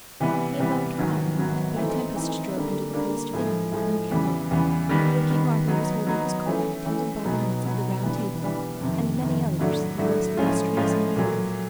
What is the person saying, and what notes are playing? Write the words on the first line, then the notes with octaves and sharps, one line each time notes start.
He embarked for Ireland; but a tempest drove him to the coast of England, near Camelot, where King Arthur was holding his court, attended by the knights of the Round Table, and many others, the most illustrious in the world.
C3 E3 G3 B3
C3 E3 G3 B3
G#2 D#3 F#3 B3
G#2 D#3 F#3 B3
E3 A3 C4 D#4
E3 A3 C4 D#4
D3 G3 A#3 D4
D3 G3 A#3 D4
A2 F3 G#3
A2 F3 G#3
E2 C#3 E3 G3 B3
E2 C#3 E3 G3 B3
D#3 G3 B3
D#3 G3 B3
F#3 B3 D#4
F#3 B3 D#4
E3 A3 C#4
E3 A3 C#4
B2 F#3 B3 D#4
B2 F#3 B3 D#4
E3 G3 B3 D4
E3 G3 B3 D4
F2 C3 D#3
F2 C3 D#3
A2 F#3 A3 D4 F#4
A2 F#3 A3 D4 F#4
A2 F3 G#3 C#4 F4
A2 F3 G#3 C#4 F4
A#2 F#3 A3